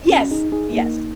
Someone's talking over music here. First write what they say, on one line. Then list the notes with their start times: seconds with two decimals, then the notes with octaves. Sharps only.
Yes. Yes.
0.10 C#4 F#4
0.31 D#4 G#4
0.52 D#4 G#4
0.73 A#3 D#4